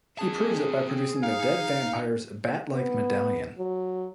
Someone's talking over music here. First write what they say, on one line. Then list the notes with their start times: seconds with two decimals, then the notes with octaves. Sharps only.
He proves it by producing the dead vampire's bat-like medallion.
0.19 C4 G#4 A5
1.23 D#4 F5
2.73 B3
3.58 F#3